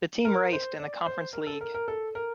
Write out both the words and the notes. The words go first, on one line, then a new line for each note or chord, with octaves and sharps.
The team raced in the Conference League.
A#4
C5
D5
C5
A#4
A4
A#4
A#4
A4
A#4